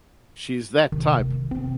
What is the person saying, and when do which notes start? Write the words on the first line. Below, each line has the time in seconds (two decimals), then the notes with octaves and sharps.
She's that type.
0.92 C3 D#3
1.19 A3
1.51 C3 D#3 C4